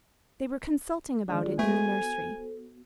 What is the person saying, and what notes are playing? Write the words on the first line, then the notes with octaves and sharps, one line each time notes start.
They were consulting about it in the nursery.
D#3 G#3 D4 F4 G#4 D5
A3 B3 F#4 A4 C5 G#5